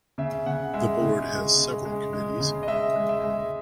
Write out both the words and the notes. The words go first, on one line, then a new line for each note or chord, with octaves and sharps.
The board has several committees.
C#3 E5
C#3 F#5
G#3 E5
C#3
G#3
C#3
G#3
G#3
C#3
D#5
G#3 E5
G#3
E5
G#3